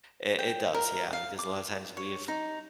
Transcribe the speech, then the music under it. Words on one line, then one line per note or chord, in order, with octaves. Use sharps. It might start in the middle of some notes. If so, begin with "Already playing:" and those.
It it does, yeah, because a lotta times we've,
G5
A#4
F5
D6
C#5
D#4